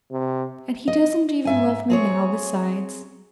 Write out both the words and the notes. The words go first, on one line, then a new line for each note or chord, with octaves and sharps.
"And he doesn't even love me now, besides."
C3
D#5
G#2 E5 G#5
C4 G#4 C#5